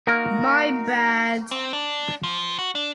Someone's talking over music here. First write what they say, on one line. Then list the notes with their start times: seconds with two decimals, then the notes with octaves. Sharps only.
My bad!
0.07 A#3 D#4 F#4 A#4
1.51 C4
1.73 D4
2.23 F3
2.58 F#4
2.75 D4